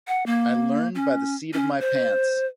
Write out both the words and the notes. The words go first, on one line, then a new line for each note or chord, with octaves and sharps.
I learned by the seat of my pants.
F#5
A#3
C#4
C#4
C5